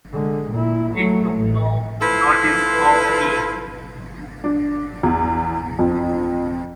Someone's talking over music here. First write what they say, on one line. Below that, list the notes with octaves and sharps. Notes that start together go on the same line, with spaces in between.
It took no notice of me.
D3 G#3
A#2 E4
F#3 A3
A1
E4 F4 A4 B4 C5
D4
E2
F2